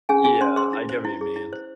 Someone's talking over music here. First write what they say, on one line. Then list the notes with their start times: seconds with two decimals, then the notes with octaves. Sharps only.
Yeah, I get what you mean.
0.09 C#4 G#4 G#5
0.24 F4 G#4 G#5
0.41 C#4 C5 C6
0.56 G#4 C5 C6
0.73 E4
0.89 C5
1.05 E4
1.21 G#4
1.36 E4
1.53 C5